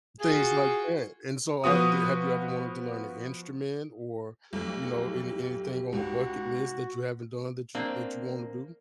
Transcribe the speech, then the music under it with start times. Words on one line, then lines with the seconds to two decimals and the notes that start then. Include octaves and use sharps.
things like that, and so are they Have you ever wanted to learn an instrument or, you know, any anything on the bucket list that you haven't done that you that you wanna do?
0.20 F4 F#4 G#4
1.64 F3 B3 F#4 D#6
4.53 B1 F2 A3 G4
5.93 C#2 G#2 F#4
7.75 A#3 C4 D4